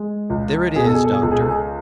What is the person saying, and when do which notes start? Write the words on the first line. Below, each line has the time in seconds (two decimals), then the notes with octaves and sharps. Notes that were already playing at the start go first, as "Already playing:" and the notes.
There it is, doctor.
Already playing: G#3
0.30 C#2
0.76 B2 G#4
0.86 A4
0.95 G#4
1.04 A4
1.13 G#4
1.22 C#2 A4
1.31 G#4
1.40 A4
1.50 G#4